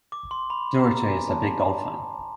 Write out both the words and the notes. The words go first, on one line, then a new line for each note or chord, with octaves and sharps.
Dougherty is a big golf fan.
D6
C6
B5
A#5
B5
A#5
G#5
A5